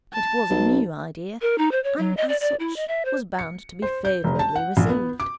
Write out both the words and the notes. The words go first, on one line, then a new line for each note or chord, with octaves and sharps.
It was a new idea, and as such was bound to be favourably received.
A5
B1
A#4
D#4
C5
C#5
F#3
D#5
D5
D5
E4
D#5
E5
C5
C#7
C5
G6
F1
A5
F#5
A#1
B3
D6